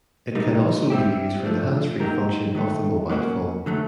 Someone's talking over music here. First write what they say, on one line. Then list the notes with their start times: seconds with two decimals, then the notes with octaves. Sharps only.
It can be also used for the handsfree function of the mobile phone.
0.35 G3 A#3 D#4
0.90 G3 C4 E4 G4
1.45 F3 A3 D4
2.00 F#3 A#3 D#4 G4 A#4
2.55 D#3 F#3 A3
3.09 F#3 A#3 C#4 F#4
3.66 D3 F#3 A3